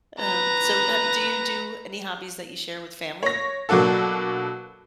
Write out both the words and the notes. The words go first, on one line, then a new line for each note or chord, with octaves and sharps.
Um, so, uh, do you do any hobbies that you share with family,
B4 A#5
C#5 A#6
B2 F#3 A#3 D4 F#4 A4